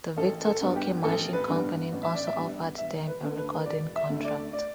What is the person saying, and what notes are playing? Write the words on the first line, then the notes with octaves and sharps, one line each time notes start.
The Victor Talking Machine Company also offered them a recording contract.
A1 A4
A4
G2 G3 B3
G4
A1 A4
B4
G2 G3 B3
A1
E5
D5
E5
G2 G3 B3
E1 E5
B4
D2 D3 A3
B4
E1 D5
E5
D2 D3 A3
D5
D5